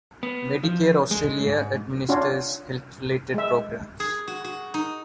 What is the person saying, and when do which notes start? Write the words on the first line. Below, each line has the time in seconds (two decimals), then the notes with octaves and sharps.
Medicare Australia administers health-related programs.
0.23 B3
0.64 F3
1.11 G#3
1.46 G#2
2.09 C#4 D4 F4 F#4
3.34 G#3 E5
4.00 G#4
4.27 F#4
4.44 F#4
4.74 D#4